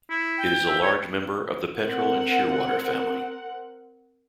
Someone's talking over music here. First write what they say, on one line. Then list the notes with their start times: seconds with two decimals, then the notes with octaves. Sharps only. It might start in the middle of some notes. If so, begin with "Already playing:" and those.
It is a large member of the petrel and shearwater family.
0.10 E4
0.38 G5
0.68 E5
0.82 C#5
1.76 C4 A#4 F#5